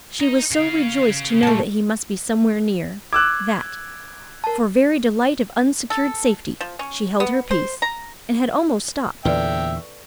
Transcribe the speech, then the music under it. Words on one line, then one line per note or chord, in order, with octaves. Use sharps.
She was so rejoiced to know that he must be somewhere near, that, for very delight of unsecured safety, she held her peace, and had almost stopped.
D#4
C#3 F5
A#2 A3 A5
D6 E6 F#6 G#6
A#4 A5
A4
F3
C#4
B3
C5
A#5
E2 A#2 D3 A4 B4 D5 E5 G5
C#6